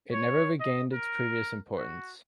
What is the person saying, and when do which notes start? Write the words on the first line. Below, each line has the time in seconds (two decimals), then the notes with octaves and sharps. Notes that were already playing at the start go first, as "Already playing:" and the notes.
It never regained its previous importance.
0.13 C#5
0.60 D#5
0.93 A#4
1.78 F#4